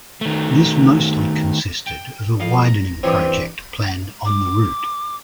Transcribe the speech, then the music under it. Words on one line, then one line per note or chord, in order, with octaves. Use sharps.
This mostly consisted of a widening project planned on the route.
D#3 A3
G5
F2 F5
A#5
G2 E3 C4 C#5
D6